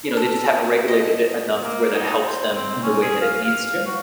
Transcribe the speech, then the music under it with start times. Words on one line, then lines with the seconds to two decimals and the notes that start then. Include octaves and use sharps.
you know, they just haven't regulated it enough to where that helps them in the way that it needs to.
0.17 A4
0.88 D#5
1.63 A#3
1.94 D#4
2.26 C5
2.54 C4
2.82 C#4
3.02 G#4
3.21 F5
3.43 F5
3.86 F#4